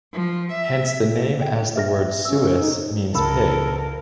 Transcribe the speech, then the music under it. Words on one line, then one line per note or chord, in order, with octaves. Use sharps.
Hence the name as the word "suis" means pig.
F3
E5
G5
E5 F6 A#6
C#4 E6
D#4
C#2 A4 A#4 B5 E6